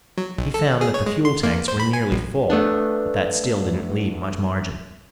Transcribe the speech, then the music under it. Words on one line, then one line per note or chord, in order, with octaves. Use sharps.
He found that the fuel tanks were nearly full, but that still didn't leave much margin.
F#3
B1
A4
G#4
C#5
G#3
C6
A#3
C5
B5
G#5
A#1
A3 B3 D4